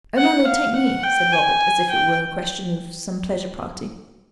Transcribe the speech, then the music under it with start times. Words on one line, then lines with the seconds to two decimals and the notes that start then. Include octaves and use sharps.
"Oh, my Lord, take me," said Robert, as if it were a question of some pleasure party.
0.17 F#5
0.47 F5
0.76 F#5
1.03 G5
1.32 G#5
1.90 G5